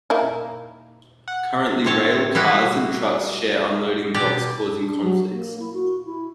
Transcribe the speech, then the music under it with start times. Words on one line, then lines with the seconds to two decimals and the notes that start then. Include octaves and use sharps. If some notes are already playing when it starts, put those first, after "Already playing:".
Currently, rail cars and trucks share unloading docks, causing conflicts.
0.10 A#3 D#4 E4
1.28 F#5
1.84 A2 D3 C4 C#5 A5
2.35 G3 E4 F#4 G#4 B4
4.14 B2 G4 D5
4.77 D4
5.01 F#3
5.30 A#3
5.59 E4
5.73 F#4
6.05 E4